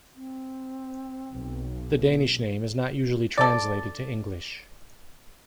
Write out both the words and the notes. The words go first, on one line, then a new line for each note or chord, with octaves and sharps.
The Danish name is not usually translated to English.
C4
B1
A4 D5